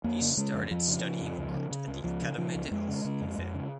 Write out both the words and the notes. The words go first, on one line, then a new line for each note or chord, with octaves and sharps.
He started studying art at the "Academie des Arts" in Fes.
F2 A#3
C#3
C#3 G#3
F2
F2 F3
C#3
C#3
F2
C#2
C#3
C#3
C#2
C#2 F3
C#3
C#3 F3
C#2
F2 G#3
C#3
C#3
F2
F2
C#3